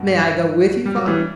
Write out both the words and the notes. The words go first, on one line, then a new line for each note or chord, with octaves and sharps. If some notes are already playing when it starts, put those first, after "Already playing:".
"May I go with you, father?"
Already playing: G2 B2
G3
F#3
E3 G3